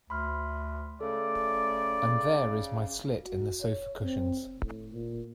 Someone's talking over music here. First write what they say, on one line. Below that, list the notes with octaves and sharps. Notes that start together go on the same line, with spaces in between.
And there is my slit in the sofa cushions.
D2 B5 C6 F6
C#3 A3 A4 D5
F#4
C#5
C4
A2
A#2